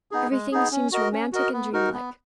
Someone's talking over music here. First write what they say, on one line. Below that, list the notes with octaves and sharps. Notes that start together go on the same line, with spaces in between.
Everything seems romantic and dreamlike.
B3 D#4 G#4
G#3
B3 D#4 G#4
C#4
F#4 A#4 D#5
C#4
F#4 A#4 D#5
B3
D#4 F#4 A#4
B3